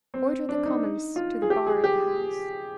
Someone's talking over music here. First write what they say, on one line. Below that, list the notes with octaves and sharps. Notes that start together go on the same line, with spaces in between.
"Order the Commons to the bar of the House."
C4
D4
D#4
F4
G#4
G4
G#4
G4